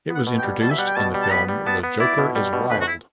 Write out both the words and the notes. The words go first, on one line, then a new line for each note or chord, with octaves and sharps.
It was introduced in the film The Joker Is Wild.
B3 F#5
B2
G5
G3
B2 A5
E5
G3 F#5
G5
B2 A5
G3
A5
B3 B5
G3
B3 A5
B3
E4 D5
B2
G3
B2
D2 B4
F#4
E4